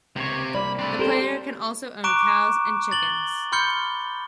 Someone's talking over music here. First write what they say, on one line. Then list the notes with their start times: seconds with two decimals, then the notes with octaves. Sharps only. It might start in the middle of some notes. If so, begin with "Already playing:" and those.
The player can also own cows and chickens.
0.16 C#2 C3 A#3 C#5
0.55 C2 A#3 D5 B5
0.79 A3 C4 D4 B5
0.99 G4 A4 A#4 C5
2.04 A#5 C#6 D6 F#6 D7 E7
2.21 D6
2.91 A6 F#7 G7
3.52 B5 C6 F6 G6 C#7 G7